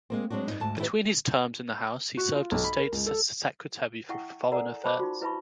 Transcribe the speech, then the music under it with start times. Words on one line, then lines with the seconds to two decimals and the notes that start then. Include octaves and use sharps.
Between his terms in the House he served as State Secretary for Foreign Affairs.
0.10 G#3 A#3 C4
0.30 F#3 G#3 C4 D4 F#4
0.48 G2 A#2 D#4
0.60 D2 G#2 A5
0.79 D#3 E4 G4 A4 B4
2.17 F#4
2.34 F4
2.52 B1
2.64 B5
2.78 A#4
2.92 C#2
3.06 A4
4.09 E4 E5 F#5 G5 C#6
4.52 A4 A#4 D5 F#5 G#5 A#5
4.84 C5 G5 A5 B5 C#6 D6
4.99 D#4 F4 F#4
5.21 E4 B4 E5 A5 B5 C#6